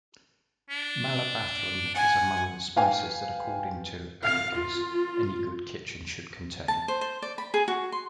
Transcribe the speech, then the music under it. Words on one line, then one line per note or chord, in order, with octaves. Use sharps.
Malabathrum is among the spices that, according to Apicius, any good kitchen should contain.
D4
F#5 G#5
B4 F5 G5 G#5
F5
F4
A5
C5
C5
D5
B5
G#4
F#4
C6